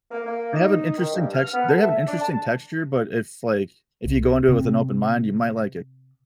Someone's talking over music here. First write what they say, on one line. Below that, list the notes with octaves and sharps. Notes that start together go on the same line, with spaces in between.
they have an interesting text they have an interesting texture, but it's like, if you go into it with an open mind, you might like it.
A#3
A#3
D#4
D#3
G2
F6
B3
A4
E5
D4
A5
C2
C3